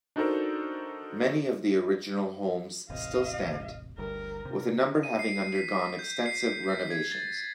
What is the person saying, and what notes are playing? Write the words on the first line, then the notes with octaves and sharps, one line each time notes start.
Many of the original homes still stand, with a number having undergone extensive renovations.
D4 D#4 F#4 A4 A#4 C5
E1 A1 C3 D#5 F5
G1 D2 G2 A#4
C3
D#7
C7
B6
G6
C7
B6
G#6
A6